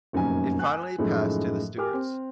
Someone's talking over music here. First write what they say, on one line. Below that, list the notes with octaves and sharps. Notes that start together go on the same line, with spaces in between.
It finally passed to the Stewarts.
F1 F#2 A#2 D#3 G#5
G#5 F#6
F#2 A2 D#3 F3 G#3
G4 A#4 G#5 D6 F6
C4